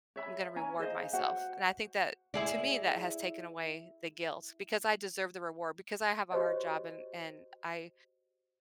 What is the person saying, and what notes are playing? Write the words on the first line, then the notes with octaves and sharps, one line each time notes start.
"I'm gonna reward myself," and I think that to me that has taken away the guilt, because I deserve the reward, because I have a hard job, and and I
C#5 E5 B5
C#4 C#5 G#5 A#5
G#4 C5 D#5 F5
F#4 C5 F#5
E4 G#4 D5
F#4 G4 C5 C#5 D#5